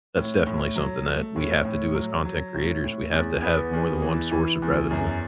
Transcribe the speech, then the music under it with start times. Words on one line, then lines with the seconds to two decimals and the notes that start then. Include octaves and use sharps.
that's definitely something that we have to do as content creators. We have to have more than one source of revenue.
0.17 A2
0.47 A2
0.76 F#3
1.06 A3
1.36 A2
1.65 A2
1.94 F#3
2.25 F#3
2.55 A2
2.84 A2
3.13 E2
3.42 B3
3.73 E2
4.02 E3
4.31 E3
4.62 E2
4.91 F#2